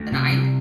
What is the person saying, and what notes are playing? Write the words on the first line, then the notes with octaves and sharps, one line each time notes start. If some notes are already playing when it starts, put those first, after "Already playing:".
and I'd
Already playing: D2 A3
C3
C3 G3